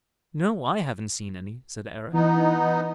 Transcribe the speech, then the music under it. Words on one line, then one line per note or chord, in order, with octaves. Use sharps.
'No, I haven't seen any', said Eric.
E3 B3 D#4